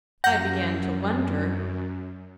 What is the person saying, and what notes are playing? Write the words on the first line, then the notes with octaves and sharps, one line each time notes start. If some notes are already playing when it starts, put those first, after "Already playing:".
"I began to wonder."
F#2 F#5 G6 A#6